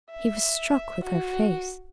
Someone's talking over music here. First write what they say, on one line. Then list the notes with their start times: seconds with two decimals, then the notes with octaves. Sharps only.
He was struck with her face.
0.11 E5
1.04 F#4